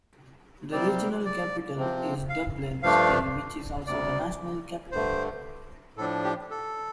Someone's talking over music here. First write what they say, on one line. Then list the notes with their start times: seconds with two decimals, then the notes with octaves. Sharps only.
The regional capital is Dublin City which is also the national capital.
0.72 C3 G3 C4 D5
1.25 D5
1.77 C3 F3 C4
2.29 F5
2.82 G2 F3 A3 D4 F5
3.87 D2 C3 G3 D5
4.92 G2 D3 A3 C5
5.97 A2 F3 D4 A4
6.24 G4
6.51 A4